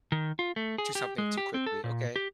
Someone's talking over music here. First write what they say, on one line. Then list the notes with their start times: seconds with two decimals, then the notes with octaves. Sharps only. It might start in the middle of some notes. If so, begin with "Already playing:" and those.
Do something too quickly. Okay.
0.12 D#3
0.39 F4
0.56 A3
0.78 G#4
0.95 G4
1.18 G#3
1.37 G4
1.54 C4
1.66 A4
1.84 A#2
2.16 G4